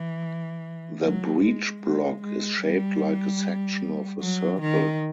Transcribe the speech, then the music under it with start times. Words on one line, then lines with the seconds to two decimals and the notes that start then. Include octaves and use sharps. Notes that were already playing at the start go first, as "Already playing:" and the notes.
The breechblock is shaped like a section of a circle.
Already playing: E3
1.02 F#3
1.42 G#3
1.82 G#3
2.22 G#3
2.62 G3
4.21 F#3
4.61 D#3